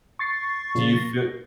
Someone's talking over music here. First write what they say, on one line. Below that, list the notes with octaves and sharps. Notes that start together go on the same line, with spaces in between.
Do you fee
C#6 A6 C7
A#2 C#3 F3
A#6